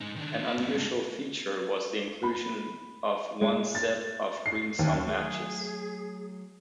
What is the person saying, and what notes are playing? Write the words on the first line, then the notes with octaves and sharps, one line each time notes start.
An unusual feature was the inclusion of one set of greensome matches.
G#2 D#4
D#3 D4
A4 B4
C#3 A3
G2 G#3
B5
G#3
A6
C7
D#2
F#3 A3 G#4